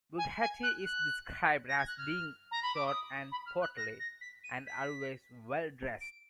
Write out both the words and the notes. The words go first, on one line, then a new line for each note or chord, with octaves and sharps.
Bugatti is described as being short and portly, and always well dressed.
G#5
G#5
F#6
F#6
A#6
G#6
F#6
F6
A#5
B5
D6
D#6
B5
F6
F#6
A#6
A#6
B6
D#7
B6
D7